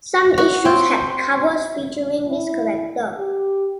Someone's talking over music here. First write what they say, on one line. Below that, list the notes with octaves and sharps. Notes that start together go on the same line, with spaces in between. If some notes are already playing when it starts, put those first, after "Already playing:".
Some issues had covers featuring this character.
F#4
C4
E4
G4